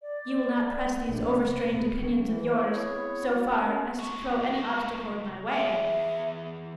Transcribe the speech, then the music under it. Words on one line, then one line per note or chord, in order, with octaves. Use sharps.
'You will not press these overstrained opinions of yours, so far, as to throw any obstacle in my way?'
D5
A#1 D4
C3
D1 B3
F#3 C#4
E3
E4 A#4 C5
B3 C4 E4 G#4 B4 C#5
F#4
C#4 A#4
C2 F#4
E3 G#4 E5